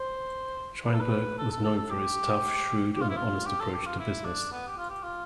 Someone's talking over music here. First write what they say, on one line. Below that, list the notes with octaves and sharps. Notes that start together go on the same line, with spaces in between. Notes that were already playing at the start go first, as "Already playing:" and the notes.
Sheinberg was known for his tough, shrewd and honest approach to business.
Already playing: C5
B4
A4
B4
A4
A4
A4
A4
G4
G4
F4
E4
F4
G4
A4
G4
F4
E4
D4
B3
G4
F4
G4
F4